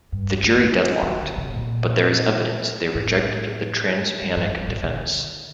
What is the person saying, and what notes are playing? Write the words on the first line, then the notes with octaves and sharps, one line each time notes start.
The jury deadlocked, but there is evidence they rejected the trans-panic defense.
G2
D3
D#3
F#3
D3
C3
A#2
A2
G2
G2
G2
A#2
D3